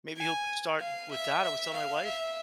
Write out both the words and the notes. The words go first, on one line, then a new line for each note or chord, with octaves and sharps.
Maybe he'll start with that, I was telling my wife.
G#5
F5
E5
E5
F5
E5